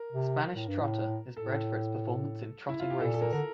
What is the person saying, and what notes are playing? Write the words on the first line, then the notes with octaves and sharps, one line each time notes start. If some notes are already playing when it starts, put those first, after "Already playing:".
The Spanish Trotter is bred for performance in trotting races.
Already playing: A#4
C3
A2
G2
A2
A2 A4
E4
F4
G4
A#2 A4
A4
A#4
D3 A#4